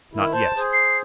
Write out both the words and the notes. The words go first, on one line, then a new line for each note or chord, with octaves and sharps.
Not yet.
D#3 E4
C5 A5
G#4 C5
C7